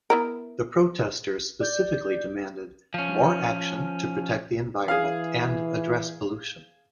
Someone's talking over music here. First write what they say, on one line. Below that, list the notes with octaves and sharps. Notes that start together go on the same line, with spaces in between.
The protesters specifically demanded more action to protect the environment and address pollution.
B3 E4 A#4
D5 G6
F3 C#4
E3 G#4 F5